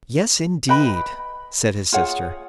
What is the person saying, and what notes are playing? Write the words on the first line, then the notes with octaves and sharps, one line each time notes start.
"Yes, indeed!" said his sister.
B4 D#5 G5 B5
F4 G#4 C#5 F#5